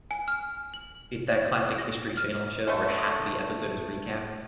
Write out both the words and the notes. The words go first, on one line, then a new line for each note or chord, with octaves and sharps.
it's that classic History Channel show where half of the episode is recap,
G#5
F6
F#7
A#6
F6
B2 D3 A3